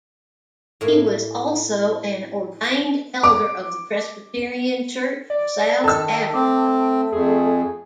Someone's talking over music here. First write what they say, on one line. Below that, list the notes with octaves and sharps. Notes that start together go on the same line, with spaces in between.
He was also an ordained elder of the Presbyterian Church of South Africa.
A2 A#3 E4
D6
D5
D#3 A4 A5 E6
A3 C4 D6
F2 G#4